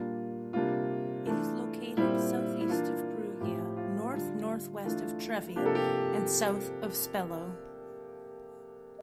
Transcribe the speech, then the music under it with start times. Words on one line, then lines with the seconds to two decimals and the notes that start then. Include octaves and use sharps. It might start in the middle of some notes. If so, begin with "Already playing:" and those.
It is located south-east of Perugia, north-north-west of Trevi and south of Spello.
Already playing: A#2 G3 A#3 D4 F4
0.53 C3 G3 A#3 D4 F4
1.26 E3 A3 D4
1.97 A#2 G3 C4 E4
2.61 E4
2.69 E3 A#3 D4 F4
3.41 A2 F3 C4 G4
3.77 F4
4.12 D3 G3 D4 F4
4.84 E3 A3 D4 F4
5.56 C3 F3 A#3 D4 G4
5.66 A4
5.75 G4